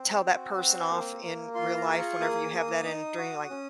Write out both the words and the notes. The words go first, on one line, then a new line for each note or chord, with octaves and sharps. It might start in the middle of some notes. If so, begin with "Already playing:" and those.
tell that person off in real life whenever you have that in a dream, like,
Already playing: C4
F#4
C4
A#3
A#3
F4 C6
A#5
G#4
C#6
A#3 D#6
A#3
D#4
F#4
C#4